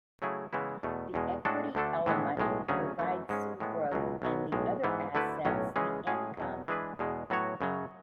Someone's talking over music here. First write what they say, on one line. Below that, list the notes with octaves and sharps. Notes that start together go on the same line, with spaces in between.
The equity element provides some growth and the other assets the income.
C#3 F#3 A3 E4 G#4
C#3 E3 G#3 B3 E4
E2 B2 A3
E2 B2 G#3
A2 G#3 D4 F#4 A4
D2 D3 A3 D4 A4
A2 E3 G#3 B3
B1 A2 G#3
D2 C#3 F#3 C#4 G#4
F#2 E3 A3
G#2 G#3 C#4
A2 G#3 B3
C#2 B2 F#3
B1 B2 F#3 B3
B1 A2 G#3
G#2 E3 B3
D2 D3 A3 E4 B4
B1 A2 F#3 C#4
C#3 E3 G#3 C#4 G#4
A2 G#3 C#4 G#4
E2 B2 F#3
E3 G#3 D4 G#4 B4
E2 B2 G#3
A2 F#3 B3 F#4 C#5
F#2 C#3 F#3